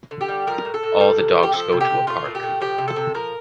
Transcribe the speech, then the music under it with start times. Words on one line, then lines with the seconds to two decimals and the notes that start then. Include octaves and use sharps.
All the dogs go to a park.
0.11 D3
0.21 G4
0.28 G3
0.47 F3 A#4
0.65 A2
0.74 A4
0.83 A2
1.01 G3
1.18 C3
1.36 G3
1.43 G4
1.53 F3 A4
1.72 C3
1.81 G4
1.90 C3
2.07 A3 F4
2.25 A#2
2.35 G4
2.43 A3
2.60 F3 G4
2.78 C3
2.88 A4
2.96 C3
3.14 F3 A#4